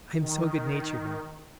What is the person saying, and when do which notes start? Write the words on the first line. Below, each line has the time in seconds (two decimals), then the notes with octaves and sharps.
I am so good-natured now.
0.17 D#3